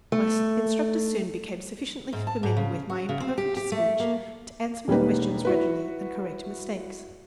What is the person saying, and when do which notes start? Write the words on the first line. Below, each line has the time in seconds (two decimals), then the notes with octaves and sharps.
My instructors soon became sufficiently familiar with my imperfect speech to answer my questions readily and correct mistakes.
0.12 A3
2.13 G#2
2.27 A5
2.43 G#2
2.57 C#3
2.89 F#4
3.09 C#3
3.20 C4
3.38 G4
3.57 G4
3.72 A3
4.00 A#3
4.88 E1 G3 A#3 D#4 B4
5.45 E4 F#4 B4